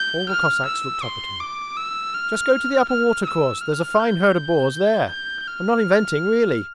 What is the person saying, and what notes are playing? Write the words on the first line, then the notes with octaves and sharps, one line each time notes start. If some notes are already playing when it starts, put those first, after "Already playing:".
All the Cossacks looked up at him. 'Just go to the upper water-course, there's a fine herd of boars there. I'm not inventing, really!
Already playing: G6
F6
E6
C6
D6
E6
F6
F6
E6
F6
G6
G6
F6